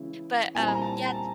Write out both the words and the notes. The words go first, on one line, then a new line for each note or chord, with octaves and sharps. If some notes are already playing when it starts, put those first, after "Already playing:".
But, um, yeah, th
Already playing: C#3 E3 G#3 C#4 E4
A#2 G3 C4 E4 G#5
A#5
A5
A5